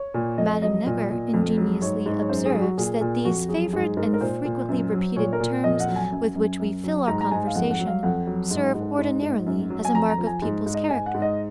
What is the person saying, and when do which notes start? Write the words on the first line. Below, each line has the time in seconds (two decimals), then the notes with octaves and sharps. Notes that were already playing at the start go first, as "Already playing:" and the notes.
Madame Necker ingeniously observes that these favorite and frequently repeated terms with which we fill our conversation, serve, ordinarily as a mark of people's character.
Already playing: C#5
0.14 A#2
0.38 F2 D#5
0.62 F#3 D#5
0.86 A#2
1.10 A#2
1.34 F2
1.58 F#3
1.82 G#2 C#5
2.06 G#2
2.21 C#5
2.29 F#2 C5
2.45 G#4
2.53 F#3
2.61 F#4
2.78 A#2 G#4
3.01 A#2
3.25 F2 F#4
3.49 F#3 G#4
3.73 G#2 G#4
3.97 G#2 A#4
4.13 A#4
4.21 A#2 C5
4.45 A#2
4.69 F#2
4.92 F#3
5.16 A#2 C#5
5.33 A#4
5.40 A#2
5.64 F2 D#5
5.80 F#5
5.88 F#3
5.96 G#5
6.12 F#2
6.35 F#2
6.59 F#2
6.84 F#3
7.08 G#2 A#5
7.21 A#5
7.31 G#2 G#5
7.47 F5
7.55 F2 F#5
7.71 F#5
7.79 F#3
7.87 F5
8.03 F2 F#5
8.27 F#3
8.51 G#2
8.75 G#2
8.99 G#2
9.22 G#2
9.46 F#2
9.70 F#3
9.85 G#5
9.94 F2 A#5
10.10 A#5
10.18 F3
10.27 G#5
10.42 G#2
10.66 G#2
10.74 D#5
10.90 G#2 G#5
11.06 F#5
11.14 G#2
11.22 D#5